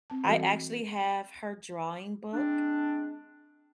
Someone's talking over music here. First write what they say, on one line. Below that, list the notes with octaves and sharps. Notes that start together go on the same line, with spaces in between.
I actually have her drawing book.
C4 A5
E3 G3 F#4 A4 D#5
G#3 C4 D4